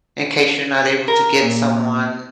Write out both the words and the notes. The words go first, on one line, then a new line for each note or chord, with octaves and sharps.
in case you're not able to get someone
A#4
A#2